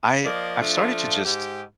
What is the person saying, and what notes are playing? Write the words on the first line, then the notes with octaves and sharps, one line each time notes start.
I I've started to just
F3 A#3 D5 D#5
F3 A3 D4 F4
G#2 G4